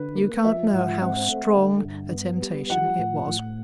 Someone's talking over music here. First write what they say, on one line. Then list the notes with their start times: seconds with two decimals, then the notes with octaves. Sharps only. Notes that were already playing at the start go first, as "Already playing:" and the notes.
You can't know how strong a temptation it was.
Already playing: D3 B4
0.16 A#3
0.44 F3 E5
0.73 G#2 F#5
1.01 C4 F#5
1.29 A3
1.57 D3
1.85 G2
2.13 B3
2.42 G3
2.70 F3 F#5
2.99 A2
3.27 A2